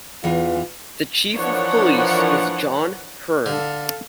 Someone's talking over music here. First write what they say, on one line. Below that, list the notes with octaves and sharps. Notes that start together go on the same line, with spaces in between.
The Chief of Police is John Hearn.
E2 E3 F4
E3 F3 D4 A#4 C#5 F#5
D3 A4 F5